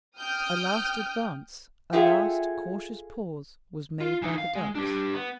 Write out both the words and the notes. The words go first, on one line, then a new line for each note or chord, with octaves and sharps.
A last advance, a last cautious pause, was made by the ducks.
G5 D#6 F6 G6
F4 G#4 A4 E5 F#5 G5
F4
E3 D#4
F5
G#3
D4 G4
B3